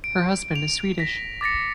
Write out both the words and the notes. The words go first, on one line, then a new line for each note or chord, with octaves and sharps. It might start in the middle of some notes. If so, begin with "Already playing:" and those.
Her husband is Swedish.
D7
F7
A#6 B6
D6 A6 A#6 C#7